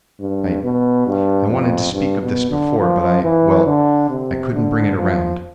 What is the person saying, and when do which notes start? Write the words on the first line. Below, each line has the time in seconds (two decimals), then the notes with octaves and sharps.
I--I wanted to speak of this before, but I--well, I couldn't bring it around.
0.20 G2
0.64 B2
1.07 G2
1.50 F2
1.93 G2
2.22 B2
2.51 D3
2.80 F3
3.23 E3
3.66 D3
4.10 C3
4.53 D3
4.96 F3